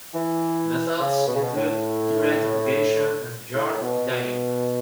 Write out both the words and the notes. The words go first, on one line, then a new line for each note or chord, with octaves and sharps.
Methods include direct application and yarn dyeing.
E3
C#3
B2
C#3
B2
A2
A2
A2
B2
B2